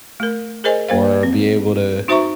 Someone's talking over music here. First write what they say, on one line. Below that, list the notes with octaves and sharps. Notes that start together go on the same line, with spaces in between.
or be able to
A3 A#4
G#4 A#4 C5 D#5 G#5
A#3 C5 F5
C4
D#4 F#4 C5 E5 A#5 C#6